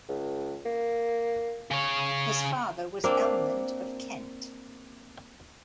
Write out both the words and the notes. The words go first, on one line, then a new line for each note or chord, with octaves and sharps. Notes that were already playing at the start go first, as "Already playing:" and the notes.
His father was Ealhmund of Kent.
C#2
A#3
C#3 C#5
A#3 C4 D4